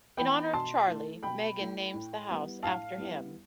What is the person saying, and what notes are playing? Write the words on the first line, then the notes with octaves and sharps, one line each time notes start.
In honor of Charlie, Meghan names the house after him.
E3 B3 G5 B5
B2 A5 C6
A3 E4
B2 G5 B5
A3 E4
A2
G3 B3 E4
A2 F5 A5
G3 B3 E4